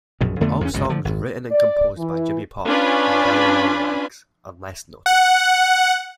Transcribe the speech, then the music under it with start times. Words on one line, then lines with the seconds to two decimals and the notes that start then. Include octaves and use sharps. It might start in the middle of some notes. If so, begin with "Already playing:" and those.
All songs written and composed by Jimmy Pop and Daddy Long Legs unless noted.
0.21 A#1 F#2 B2
0.40 F2 D3 A3 B3
0.61 E2 A#3 C#4
0.73 G1 C#2 F#2 B2
0.89 D3 F3
1.05 G#1
1.51 D5
1.98 E3
2.67 C#4 D4 F4 B4 G#5 B5
5.06 F#5